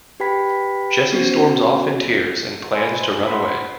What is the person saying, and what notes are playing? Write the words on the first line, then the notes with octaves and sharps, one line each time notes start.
Jesse storms off in tears and plans to run away.
G4 B4 G5 B5 B6
B3 C#4 F#4 C5
B4 D5 G#5 B5 C6
C5 F#5 B5 C6